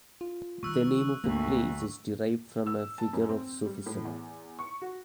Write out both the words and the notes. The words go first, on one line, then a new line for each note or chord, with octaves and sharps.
The name of the place is derived from a figure of Sufism.
F4
D#3 G3 C#6 E6 F#6
D2 G#2 D3 A#3
E6
A5
F#2
C4
G3
A2
E2
C#6
F#4